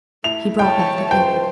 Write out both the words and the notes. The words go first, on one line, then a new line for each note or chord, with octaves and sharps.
He brought back the paper.
A3 E4 F7
C#5 G5 A5
C#2 C5 G5